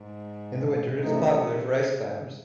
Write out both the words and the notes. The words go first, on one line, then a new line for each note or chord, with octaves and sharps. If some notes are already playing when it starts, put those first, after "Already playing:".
In the winter it is popular for ice-climbers.
Already playing: G#2
F#2 C3 E3 A3 D#4